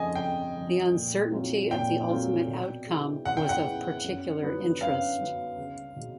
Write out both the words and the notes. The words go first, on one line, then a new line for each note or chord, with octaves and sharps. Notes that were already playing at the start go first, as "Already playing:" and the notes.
The uncertainty of the ultimate outcome was of particular interest.
Already playing: F2 C#3 F3 A3 D#5 G#5
F2 G5
C#3 F3 A3
A#2
F#3 A3 C4 F4
A#2 G5
F#3 A3 C4 F4
B2
G#3 B3 E4
B2 F#5
G5
F#5
G#3 B3 E4
F#2
D3 F#3 B3
F#2 F5
D3 F#3 B3
C#2
B2 G#3